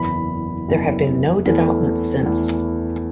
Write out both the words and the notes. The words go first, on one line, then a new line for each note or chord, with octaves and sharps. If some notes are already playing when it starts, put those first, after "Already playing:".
There have been no developments since.
Already playing: F#1 E2 E3 B5
F#1 E2 E3
E2 E3 A3
E2 E3 A3